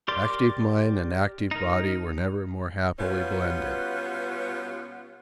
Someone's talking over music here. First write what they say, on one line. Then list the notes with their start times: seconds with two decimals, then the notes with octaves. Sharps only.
Active mind and active body were never more happily blended.
0.08 G4 A#4 D5 C6 D6
1.51 D#4 A#4
2.99 B2 G3 B3 C#4 F4 B4